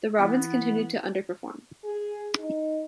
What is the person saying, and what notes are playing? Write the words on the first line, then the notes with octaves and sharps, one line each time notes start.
The Robins continued to underperform.
E3 B3
G#4
D#4